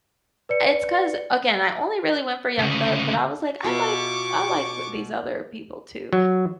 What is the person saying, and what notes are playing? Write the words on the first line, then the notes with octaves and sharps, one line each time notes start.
it's 'cause again, I only really went for Young Thug, but I was like, "I like I like these other people too."
B4 D5 C#7
D2 C#3
B2 F4 E5 C#6 D6
F#3